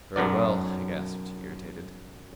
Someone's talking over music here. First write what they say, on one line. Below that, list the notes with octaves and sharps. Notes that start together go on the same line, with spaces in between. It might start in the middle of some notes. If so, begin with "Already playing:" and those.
"Very well," I gasped, irritated.
B1 F#2 F#3 D5